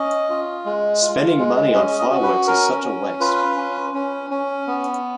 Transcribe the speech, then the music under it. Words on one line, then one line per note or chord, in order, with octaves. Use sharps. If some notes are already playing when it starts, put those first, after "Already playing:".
Spending money on fireworks is such a waste!
Already playing: C#4 D#5
F4
G#3
F4
G#3
C#4 D#5
D#5
F#4
B4
C#4 A#4
C#4
F4 B4
C#4
C#4
C#4
B3